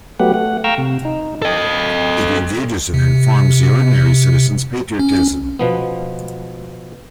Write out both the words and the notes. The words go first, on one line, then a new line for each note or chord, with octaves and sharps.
It engages and informs the ordinary citizen's patriotism.
F#3 A3 B3 G4 F#5
A3 F#5
F5 G5 A#5 C#6 E6
C3
D#4
A4 D#5
C3
C#4
B2 F3 B3